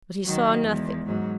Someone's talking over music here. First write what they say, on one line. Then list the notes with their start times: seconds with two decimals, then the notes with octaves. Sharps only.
But he saw nothing.
0.24 D#3 F#3
0.64 E2 G#3
1.06 G#2 F#3